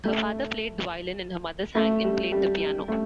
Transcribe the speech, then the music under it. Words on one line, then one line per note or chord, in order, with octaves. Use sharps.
Her father played the violin and her mother sang and played the piano.
A3
A3
G3
G3
G3
A3